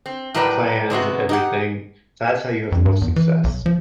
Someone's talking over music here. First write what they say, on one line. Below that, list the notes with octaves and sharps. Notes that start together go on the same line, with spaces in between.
plans and everything, that's how you have the most success.
C4
A2 F#3 G3 A#4 B4 D5
C3 G#3 B3 F#4
D#4 G4 F#5
F2
G2
E2
E3
B1
F3